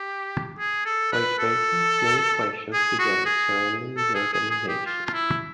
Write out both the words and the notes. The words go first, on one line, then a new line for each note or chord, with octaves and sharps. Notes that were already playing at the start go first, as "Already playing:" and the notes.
Foyt Racing, many questions began surrounding the organization.
Already playing: G4
G#4
A4
B4
A4
G#4
F#4
G#4
A4
G#4
G#4
G#4
G4
F4
F4
E4